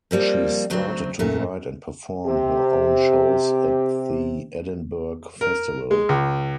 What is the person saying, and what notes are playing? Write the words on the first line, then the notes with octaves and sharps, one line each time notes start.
She started to write and perform her own shows at the Edinburgh Festival.
F3 G3 A#3 C4
D2 F#3 C4
F#2 A#2 A3
C3 G4
A#4
G#3
C#2